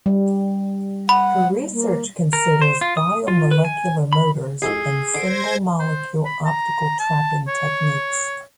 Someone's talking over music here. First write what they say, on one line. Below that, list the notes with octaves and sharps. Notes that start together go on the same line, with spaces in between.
Her research considers biomolecular motors and single molecule optical trapping techniques.
G3
F#5 B5
A#3
A#4
C5
F4
D#6
F4
B4
G#5
B5
C2 F2 G#2 G#4 E6 C7
D3 C5 G#6 A#6 C7 D7
C5
B5
A#5
A5
C#5